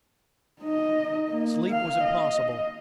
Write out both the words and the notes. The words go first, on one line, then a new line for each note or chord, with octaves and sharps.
Sleep was impossible.
D#4 D#5
A#3
F5
D#5